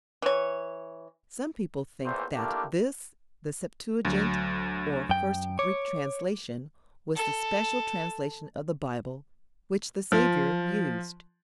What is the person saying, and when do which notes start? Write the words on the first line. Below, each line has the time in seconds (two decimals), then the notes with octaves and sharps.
Some people think that this, the Septuagint, or first Greek translation, was the special translation of the Bible which the Saviour used.
0.22 E3 C#5
2.04 A1 E2 A#2 E3 C5
2.35 A3 A#3 D4 E4 F4 G4
4.05 D2 F#3
5.09 F#2 G5
5.59 C#5 D6
7.16 A4
10.12 F3